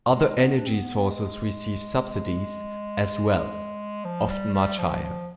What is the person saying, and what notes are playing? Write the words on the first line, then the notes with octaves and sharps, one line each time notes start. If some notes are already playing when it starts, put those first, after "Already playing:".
Other energy sources receive subsidies as well, often much higher.
G#3
B3
D4
C4
B3
G#3
F3
G3
G3
F3
F3